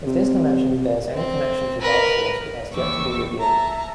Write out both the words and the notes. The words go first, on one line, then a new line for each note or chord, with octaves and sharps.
If this dimension bears any connection to Darkforce, it has yet to be revealed.
C3
C4
A#4 B4
D#2 E3 C#6 D6 E6
E5 A5 A#5